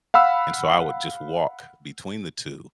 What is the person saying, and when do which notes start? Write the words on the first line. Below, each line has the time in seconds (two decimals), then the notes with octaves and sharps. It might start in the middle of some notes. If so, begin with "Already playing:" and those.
and so I would just walk between the two,
0.14 F5 F#5 B5 E6